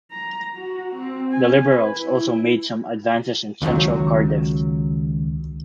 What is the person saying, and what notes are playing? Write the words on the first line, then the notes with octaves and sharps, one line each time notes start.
The Liberals also made some advances in central Cardiff.
A#5
F#4
C4
G#5
B4
E4
C#2 D3 D#3 F#3